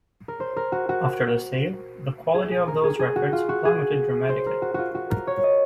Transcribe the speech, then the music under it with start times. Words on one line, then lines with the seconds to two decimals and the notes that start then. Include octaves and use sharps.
After the sale, the quality of those records plummeted dramatically.
0.28 A#4
0.40 C5
0.56 A#4
0.72 F#4
0.89 F#4
2.34 G#4
2.51 G#4
2.68 A#4
2.84 G#4
2.99 G#4
3.16 F#4
3.33 F4
3.49 F#4
3.65 G#4
4.29 C5
4.46 A#4
4.62 F#4
4.74 F4 F#4
4.95 F#4
5.10 A#4
5.27 C#5
5.43 D#5